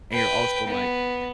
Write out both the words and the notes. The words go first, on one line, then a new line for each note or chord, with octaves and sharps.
and you're also like"
B4 G5
B3